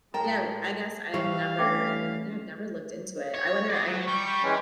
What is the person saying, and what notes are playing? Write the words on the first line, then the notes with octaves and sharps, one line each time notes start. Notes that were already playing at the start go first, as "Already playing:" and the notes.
yeah, w I guess I've never yeah, I've never looked into it, I wonder I'm
A2 G#3 A#4 G5 A5 A#5
E3 G3 E4 G4 F5 C#6
A3 C#4 D4 G5 D6
C#5
G#4 D5
F#3
G3 C#6 G6
G3
E3 G#3 C#4